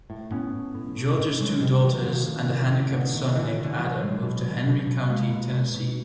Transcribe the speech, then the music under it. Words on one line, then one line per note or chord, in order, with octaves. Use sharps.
George's two daughters and a handicapped son named Adam moved to Henry County, Tennessee.
A2
A2 B3 C#4
A2
A2
A2
A2
A2 F#3 G#3
A2 F3 G3
A2 E3 F#3
F#3
A2 D#3 F3
A2
A2
A2
B2 D3
B2 D#3
B2 D3 E3
D#3
B2
D3 E3
B2 E3 F#3
B2 F#3 G#3
B2
B2
B2
B2
B2 G#3 A#3
B2
B2
B2